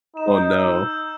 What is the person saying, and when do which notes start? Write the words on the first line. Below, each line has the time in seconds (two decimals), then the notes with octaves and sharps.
Oh, no.
0.16 D#4 E7
0.36 G6
0.53 E6
0.72 E6
0.90 G6